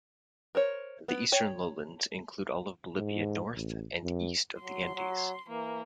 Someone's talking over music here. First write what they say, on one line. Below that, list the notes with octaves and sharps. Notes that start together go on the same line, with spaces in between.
The eastern lowlands include all of Bolivia north and east of the Andes.
A#4 C5 C#5
B3
C#5 G5
G#2
A1
F2
F#3 C6
F#3
E3 A#3